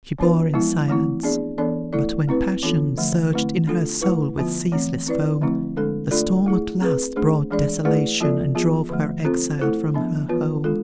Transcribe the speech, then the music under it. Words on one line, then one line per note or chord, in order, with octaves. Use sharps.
She bore in silence--but when passion Surged in her soul with ceaseless foam, The storm at last brought desolation, And drove her exiled from her home.
E3 B3 D4 F4 B4
F3 G#3 B3 E4
E3 A3 C4 E4
B3 D4 G#4 D5
E3 B3 D4 A4 D5
A3 E4 A4 D5
A3 C4 E4 B4
E3 B3 D4 F4 A4
D3 F3 A3
D3 A3 C4 E4 B4
A3 D4 F4 A4
A3 E4 B4
D3 F3 B3 F4
E3 A3 C4
C4 E4 B4 D5
D3 F3 A3 C4 E4
D3 G#3 D4 A4
A3 D4 F4 A4 D5
A3 E4 G#4
C4 G#4 B4
A3 D4 G#4 C5
E3 G#3 D4 G#4 D5
A3 E4 G#4 B4 D5
F3 B3 F4 A4 D5
F3 B3 F4 G#4
D3 F3 A3
C4 F4 A4 C5
A3 E4 A4 C5
F3 B3 D4
E3 B3 F4 B4
G#3 D4 F4 A4